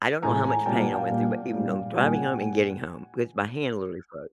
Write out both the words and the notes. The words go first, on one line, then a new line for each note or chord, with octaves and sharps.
I don't know how much pain I went through, but even though, I'm driving home and getting home, 'cause my hand literally froze.
A2 E3 G#3 G#5 A#5
G#5 A#5
A#2 G3 A#3 G5 A5
F#5 G#5
F5 G5
A#2 G3 A#3
A#2 G3 A#3
A#2 G3 A#3 G#5
G5
F#5 G#5